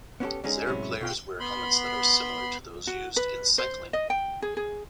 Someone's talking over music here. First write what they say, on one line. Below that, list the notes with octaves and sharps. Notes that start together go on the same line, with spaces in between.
Xare players wear helmets that are similar to those used in cycling.
B3 C#4 E4 F#4 G4 A4
D3 G#3 C#4 D#4 G#4
A2 C3 F#3 G#3 C#4 E4
B2 F4 G5
B3 B5 C6
F#4
B4
C5
D#5
G5
G#4
G#4